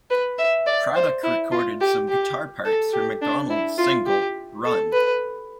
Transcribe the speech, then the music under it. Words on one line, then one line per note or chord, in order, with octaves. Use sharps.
Cradock recorded some guitar parts for Macdonald's single "Run".
B4
E5
D5
C5
E4
F4
G4
G4
A4
G4
D4
E4
F4
G4
A4
B4